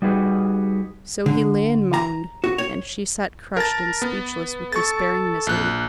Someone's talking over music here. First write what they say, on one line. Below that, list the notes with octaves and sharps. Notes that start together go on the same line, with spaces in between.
So he lay and moaned, and she sat crushed and speechless with despairing misery.
G3 D#4 F#4 G#4 B4
D3
A#5
F#4
C#5
A#4 A5 A6
B3
A4 C#6 A6
A#1 F#6